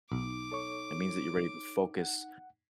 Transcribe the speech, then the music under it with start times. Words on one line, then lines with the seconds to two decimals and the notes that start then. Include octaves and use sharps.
It means that you're ready to focus
0.12 B1 D#4 D6
0.52 A4 C#5 C#6
1.98 F#5